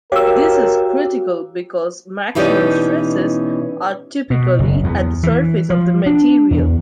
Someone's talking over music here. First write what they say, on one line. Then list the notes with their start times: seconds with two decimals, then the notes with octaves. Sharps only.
This is critical because maximum stresses are typically at the surface of the material.
0.12 F#4 G4 A#4 C#5 F5 E6
2.35 B2 E3 C#4 D#4 G4 D5
4.30 B2
4.59 F#1
4.84 E2
5.23 E3
5.70 F3
6.06 D4
6.51 E2